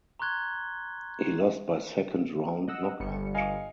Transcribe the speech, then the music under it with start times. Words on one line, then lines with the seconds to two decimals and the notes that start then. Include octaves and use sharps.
He lost by second-round knockout.
0.20 A#5 C6 C#6 F#6 G#6 G7
2.68 D#5 F#5 E6
3.00 G1 G3 C#7
3.34 D#5 F5 G#5